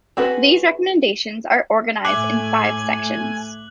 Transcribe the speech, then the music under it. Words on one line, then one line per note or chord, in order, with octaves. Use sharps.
These recommendations are organized in five sections.
C4 F#4 G#4 B4
A2 A3 E5 G#5 D6 F#6 F#7